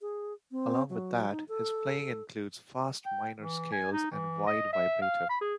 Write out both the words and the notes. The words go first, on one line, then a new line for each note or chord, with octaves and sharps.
Along with that, his playing includes fast minor scales and wide vibrato.
G#4
C4
F#3
D#4
A4
G5
E3
G#5
D#4
E3
D#5
E5
F5
B5
G#4